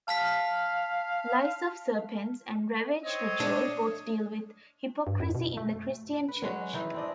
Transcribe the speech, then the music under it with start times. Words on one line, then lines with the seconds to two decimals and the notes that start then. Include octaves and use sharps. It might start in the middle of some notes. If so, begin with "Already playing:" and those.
"Lies of Serpents" and "Ravage Ritual" both deal with hypocrisy in the Christian church.
0.08 F5 A5 F6 B6
3.04 C4 C#5 D#5
3.40 D4
5.07 G2
5.20 F#2
5.35 B2
5.57 A3
6.28 B4
6.42 F#3 G#3 C#4 F#4
6.73 D#3 E3 D#4 E4
6.94 C4 D4 D#5